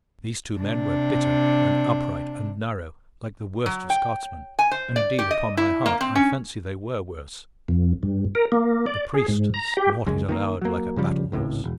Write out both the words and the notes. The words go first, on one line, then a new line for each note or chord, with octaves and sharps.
These two men were bitter and upright and narrow, like the worst of Scotsmen, and indeed, upon my heart, I fancy they were worse. The priest snorted aloud like a battle-horse.
C3 D4
F#3
G5
G#5
C5
D5
G4
D#5
E4
A#3
C4
C#4
F2
G2
A#4
A#3
D5
G#4
G#2
A#5
G4
C#2 F#2 G#3
D#3 A3 A#3
F#3 A#3
G2 C#3 F3 G3
G#1 C#2 A2
E1